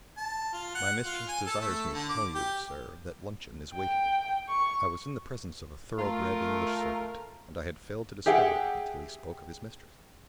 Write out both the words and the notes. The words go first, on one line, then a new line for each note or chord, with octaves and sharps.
"My mistress desires me to tell you, sir, that luncheon is waiting." I was in the presence of a thoroughbred English servant--and I had failed to discover it until he spoke of his mistress!
A5
F4
F#5
F4
G#5
A4
A3
D3
D6
G4
G5
C#6
A3 F4 A#4
G4 G#4 E5 F#5 G5